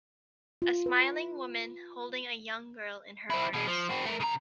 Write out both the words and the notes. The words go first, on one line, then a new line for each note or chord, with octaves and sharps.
A smiling woman holding a young girl in her arms.
F4
B4
C4 E4
B2 G#3
F3
C4 F#4
A3 A#4
C#3 A#5